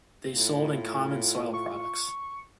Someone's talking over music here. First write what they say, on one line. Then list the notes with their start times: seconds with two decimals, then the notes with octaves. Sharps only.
They sold in common soil products.
0.33 A2 F4
1.54 C#6